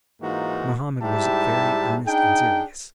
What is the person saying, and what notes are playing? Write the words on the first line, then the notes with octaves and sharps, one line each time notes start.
Mohammed was very earnest and serious.
G#2 E3 A#3 D#4 F4 F#4
G#2 G3 E4 G4 E5 A5
D4 D#4 G#4 G5